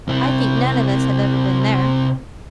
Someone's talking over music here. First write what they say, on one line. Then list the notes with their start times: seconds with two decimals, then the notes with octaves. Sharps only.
I think none of us have ever been there.'
0.08 C3 E4